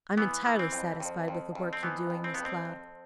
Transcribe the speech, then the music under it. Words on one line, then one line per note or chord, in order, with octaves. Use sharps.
I'm entirely satisfied with the work you're doing, Miss Cloud.
E3 B3
E3
C4
F2
F2
F2
F2
C4
E3 B3
F2
C4
F2 B3
C4
F2